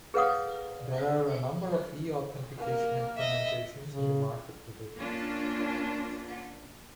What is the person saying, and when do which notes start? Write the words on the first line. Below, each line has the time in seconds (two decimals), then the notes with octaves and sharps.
There are a number of eAuthentication implementations in the market today.
0.14 G#4 B4 C#5 F5 F#5 D#6
2.57 A#3 A#4
3.17 D#5 E5
3.90 C#3
4.96 A#3 C#4 D4 F4